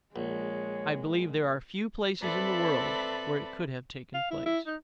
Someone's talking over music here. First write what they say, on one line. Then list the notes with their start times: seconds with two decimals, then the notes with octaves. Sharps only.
I believe there are few places in the world where it could have taken place.
0.16 A#1 G#3 C#5
2.21 C4 A4 B4 D5 E5 B5
4.14 F5
4.31 E4
4.46 E4
4.67 D#4